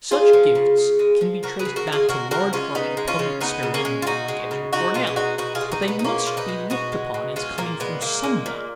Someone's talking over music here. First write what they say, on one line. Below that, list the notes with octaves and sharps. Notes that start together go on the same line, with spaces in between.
Such gifts can be traced back to large-hearted, public-spirited men like Ezra Cornell, but they must be looked upon as coming from some one.
G#3 F4 G#4
F3
C#3
C#3
G#3
F3
C#3 F#4 A#4
G#4 B4
C#3
F#4 A#4
G#3
F4 G#4
G#3 F#4 A#4
C#3 F#4 A#4
G#3 C#4 F4
C#3 B3 D#4
G#3
C#4 F4
C#3
G#3 B3 D#4
C#3
A#3 C#4
G#3
F4
C#3 D#4 F#4
G#3
C#3
G#3 D#4 F#4
B2 C#4 F4
G#4
G#3 D#4 F#4
B2 D#4 F#4
F4 G#4
G#3
D#4 F#4
B2
B3
D#4
G#3 A#3 C#4
B2 F4
B3 D#4
G#3
B2 D#4 F#4
G#3
B2
G#3 C#4 F4
A#2 A#3
G#3 B3
A#2 A#3
G#3
A#2